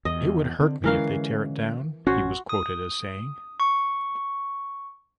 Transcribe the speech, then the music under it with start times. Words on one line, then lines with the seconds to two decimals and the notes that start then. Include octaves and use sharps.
"It would hurt me if they tear it down", he was quoted as saying.
0.05 E2 D#5
0.60 D3 C4
0.84 D3 E3 G#3 C#4 A#4 F5
2.07 A1 C#4 F#4 C5
2.49 D#6
3.60 C#6